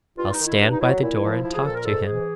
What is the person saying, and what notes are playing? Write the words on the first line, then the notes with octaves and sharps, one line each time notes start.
'I'll stand by the door and talk to him.'
G2 F4
D#4
D#3
E4
G2 D4
D#4
F#3 E4
A#2 E4
F3
F3 E4
G#4
A#2 A4
A#4
G#2 A4
E3 G#4